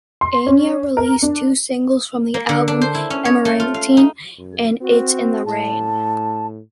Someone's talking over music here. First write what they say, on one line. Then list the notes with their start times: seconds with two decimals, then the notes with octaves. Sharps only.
Enya released two singles from the album, "Amarantine" and "It's in the Rain".
0.21 C6
0.47 C#4
0.97 A#4
1.22 D4
2.34 A#3
2.49 D3
2.68 D4
2.81 C5
2.94 E4
3.10 C#4
3.25 C#5
3.45 A3
3.60 F4
3.74 F5
3.97 D#4
4.38 F#2
4.81 C4 F#4
5.46 A2 A5